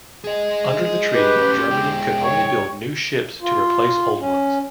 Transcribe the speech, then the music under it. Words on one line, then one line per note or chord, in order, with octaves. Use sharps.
Under the treaty Germany could only build new ships to replace old ones.
G#4 D#5
G4 B4
A3 C#4
G#3 E4 G5
C#5
F4
C#4